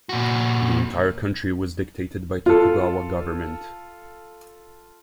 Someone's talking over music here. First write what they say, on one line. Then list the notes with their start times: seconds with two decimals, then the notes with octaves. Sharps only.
The entire country was dictated by Tokugawa government.
0.09 A#2 F#4
2.46 F4 A4